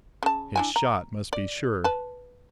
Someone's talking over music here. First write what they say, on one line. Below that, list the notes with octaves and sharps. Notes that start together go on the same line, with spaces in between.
His shot must be sure.
C#3 A5
D4 E4 G#5
A#5
D5
B4 A5